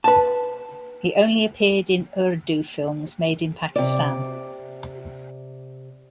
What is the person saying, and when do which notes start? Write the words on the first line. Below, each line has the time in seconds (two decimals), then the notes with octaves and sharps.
He only appeared in Urdu films made in Pakistan.
0.04 B4 A5
3.76 C3 D5